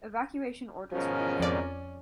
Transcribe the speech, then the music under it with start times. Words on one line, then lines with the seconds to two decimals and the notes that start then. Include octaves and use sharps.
Evacuation orders were lifted.
0.92 G#2 B2 D#3 F3 C#4 G#4 A#4
1.40 F2 D5